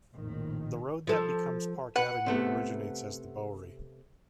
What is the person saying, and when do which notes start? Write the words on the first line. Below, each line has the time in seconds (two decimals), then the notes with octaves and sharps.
The road that becomes Park Avenue originates as the Bowery.
0.13 A#1 F2 A2 D#3
1.07 F3 A4
1.96 B4 F#5
2.26 C3 A3 B3